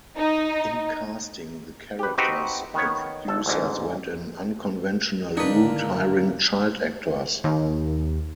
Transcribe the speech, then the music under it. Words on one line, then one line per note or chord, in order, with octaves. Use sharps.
In casting the characters, the producers went an unconventional route, hiring child actors.
D#4
G4 B4
C4 D#4 F#4 G4 B4
D#3 B3 C#5
G1 A4
A1 D2 G#2
G#2 D3 D#3 A#3 D4 D#4 B4
D#2